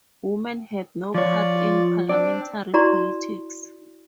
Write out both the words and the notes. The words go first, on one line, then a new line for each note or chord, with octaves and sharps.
Women had no part in parliamentary politics.
F3 F4 C#5 D5
C4 D4 D5
E4 F#4 D5 A#5 C6 C#6